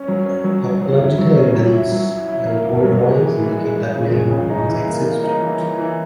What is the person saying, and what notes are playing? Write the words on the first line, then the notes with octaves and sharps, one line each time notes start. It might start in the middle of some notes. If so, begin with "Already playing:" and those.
Archaeological evidence and old drawings indicate that many more once existed.
Already playing: C#4
F#3
C#4
F#3
F#3
F#3
E4
F#3
C#4
F#3
E4
F#3
E4
E4
A#3
A#3
F#3
G#3
E3
E3
G#3
G#3
C#3
G#3
C#3
D#4
E3
A#3
A#3
D#4
E3
E3
E3